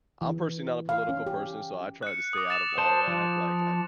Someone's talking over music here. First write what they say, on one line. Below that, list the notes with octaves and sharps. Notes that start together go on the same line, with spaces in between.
I'm personally not a political person, so I try to stay out of all that, like, I
E3
F5
C#4
G4
F#6 C#7
D6 D#6
A6 E7 F7
C5 A5
F3